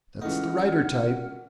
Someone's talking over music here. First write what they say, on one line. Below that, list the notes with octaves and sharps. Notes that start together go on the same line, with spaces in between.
'That's the writer-type.
C#2 E3 A3 D#4 F#5 F6